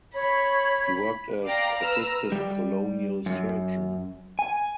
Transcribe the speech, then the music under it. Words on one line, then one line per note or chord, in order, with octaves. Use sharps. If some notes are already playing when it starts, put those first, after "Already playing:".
He worked as Assistant Colonial Surgeon.
C#5 B5
D5 F5 G5 A#5
B4 A#5 E6 F6
G3
F#2
G#5